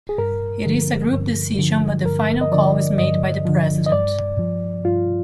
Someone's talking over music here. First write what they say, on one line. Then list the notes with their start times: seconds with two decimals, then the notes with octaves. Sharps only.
It is a group decision but the final call is made by the president.
0.09 G#4
0.18 G2 A#4
0.66 D3 F3
1.12 G2
1.59 D3 F3
2.05 G2 A#4
2.41 D#5
2.51 D3 F3 D5
2.98 G2 D#5
3.46 D3 F3
3.86 D#5
3.92 G2 D5
4.39 F3
4.85 G2 F4